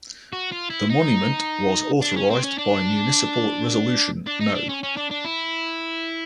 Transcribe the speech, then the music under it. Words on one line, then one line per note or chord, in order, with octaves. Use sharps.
The monument was authorized by municipal resolution no.
F#4
F4
E4
D#4
D4
C#4
C4
C#4
D4
D4
D#4
D4
C#4
C#4
D4
D4
E4